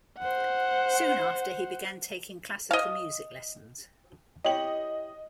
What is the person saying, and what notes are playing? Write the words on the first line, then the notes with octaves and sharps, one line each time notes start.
Soon after he began taking classical music lessons.
C5 F#5
D#5 F5
E4 G4 C#5 D#5 F#7